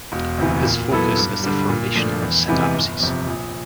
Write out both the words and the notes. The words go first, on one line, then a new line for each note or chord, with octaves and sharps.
His focus is the formation of synapses.
E1
D2 C3 E3
A#2
F#3 B3 E4 A4
G2
D3 G3
A#2
F3 A3 D4
E2
C3 E3 G#3 B3
G1
F2 C3
A#1